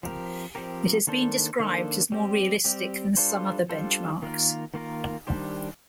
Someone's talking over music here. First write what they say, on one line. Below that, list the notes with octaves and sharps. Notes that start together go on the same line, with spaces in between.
It has been described as more realistic than some other benchmarks.
F3 C4 G4 A#4
F3 C4 G4 A#4
D#3 A#3 D4 A4 C5
D#3 A#3 D4 A4 C5
G3 C4 G4
G3 C4 G4
G3 D4 F4 A4 C5
G3 D4 F4 A4 C5
D#3 A#3 F4 A#4
D#3 A#3 F4 A#4
D#3 G3 D4 G4 C5